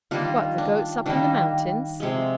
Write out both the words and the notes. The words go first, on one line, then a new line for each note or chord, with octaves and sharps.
"What, the goats up in the mountains?"
D#3 G3 A#3 D4 F4
D4
D#3 G3 A#3 D4
C3 F3 G#3